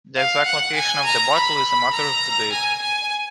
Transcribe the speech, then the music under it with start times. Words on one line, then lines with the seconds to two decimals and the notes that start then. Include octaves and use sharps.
The exact location of the battle is a matter of debate.
0.16 F5
0.46 F#5
0.75 G#5
1.05 A#5
1.34 B5
1.93 A#5
2.52 G#5
2.81 G#5